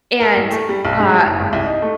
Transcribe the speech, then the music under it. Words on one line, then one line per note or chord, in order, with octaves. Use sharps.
And, uh,
A#4
A1
A3
G3
B1
G#2
G3
F#1
G#1
C2
D#4
A3